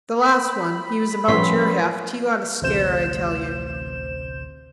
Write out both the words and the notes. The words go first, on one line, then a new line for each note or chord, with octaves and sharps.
The last one--he was about your heft--he got a scare, I tell you.
B5
A2 F3 G3 B3 C#4 C#5 C6 B6
A1 D2 C3 C5 G6 E7